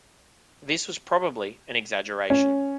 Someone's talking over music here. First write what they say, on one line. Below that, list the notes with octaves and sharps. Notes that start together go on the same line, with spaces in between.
This was probably an exaggeration.
C#4